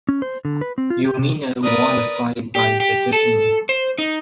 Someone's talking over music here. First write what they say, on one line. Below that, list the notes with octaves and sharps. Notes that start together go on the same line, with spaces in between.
Umeno won the fight by decision.
C#4
C5
D3
B4
C4
F4
G4
C3
A#4 B4 D5 D#6
G4
G4
A4
C5
D#4